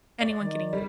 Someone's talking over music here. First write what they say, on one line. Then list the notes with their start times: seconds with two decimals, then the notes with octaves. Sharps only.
anyone getting
0.21 D5
0.40 D#3
0.73 G3